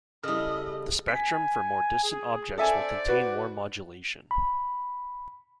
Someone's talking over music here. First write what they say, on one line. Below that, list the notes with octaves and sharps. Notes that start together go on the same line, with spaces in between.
The spectrum for more distant objects will contain more modulation.
C#3 G3 E4 A4 D#5 D#6 F6
G#5 B6
G#4
D4 A4 C5 D5 E5 G#5
F#4 B4
B5